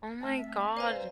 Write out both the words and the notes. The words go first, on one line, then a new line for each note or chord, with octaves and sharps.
Oh my god,
A3 C4 A5
E5
B4 C5 D5 F5 G#5 A#5